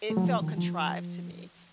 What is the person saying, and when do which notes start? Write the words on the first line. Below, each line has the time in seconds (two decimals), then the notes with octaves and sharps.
it felt contrived to me.
0.10 A3
0.17 F#3
0.24 F3
0.42 D#3
0.58 F3